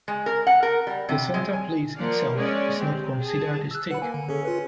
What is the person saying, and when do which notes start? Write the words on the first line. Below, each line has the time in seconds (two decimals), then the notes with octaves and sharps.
The center place itself is not considered a stake.
0.08 G#3
0.26 A#4
0.47 F#5
0.63 A#4
0.87 G3
1.09 C3
1.34 G#3
1.53 G#5
1.95 F3 A#3 D5 F5 F#5
2.36 G#3 C#4 D5
2.78 C4 G4
3.18 G#4 A5
3.71 E6 F#6
3.91 B4 F#5 B5
4.02 A#3 G#5
4.14 D3
4.29 C#4 G#4 A4
4.45 F4 B4